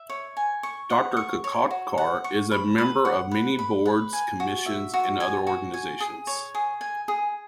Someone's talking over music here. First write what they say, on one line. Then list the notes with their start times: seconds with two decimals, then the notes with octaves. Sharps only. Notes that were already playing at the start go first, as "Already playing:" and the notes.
Doctor Kakodkar is a member of many boards, commissions, and other organizations.
Already playing: E5
0.10 C#5
0.37 G#5
0.63 C#6
0.90 F#5
1.17 C#6
1.44 C#5
1.71 F#4
1.98 F#5
2.24 C#6
2.51 B5
2.78 B4
3.05 F#5
3.31 B4
3.59 B5
3.86 B4
4.13 G#5
4.40 F#4
4.66 E5
4.94 F#4
5.20 G#5
5.47 F#4
5.74 G#5
6.00 G#4
6.27 C#5
6.55 G#4
6.81 G#5
7.08 G#4